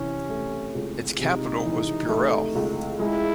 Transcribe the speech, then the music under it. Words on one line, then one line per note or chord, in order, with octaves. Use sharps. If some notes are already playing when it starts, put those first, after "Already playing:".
Its capital was Burrel.
Already playing: C3 E3 C#4
A3
C#2
C3 D#4
E3
A3
C#2
G#3 E4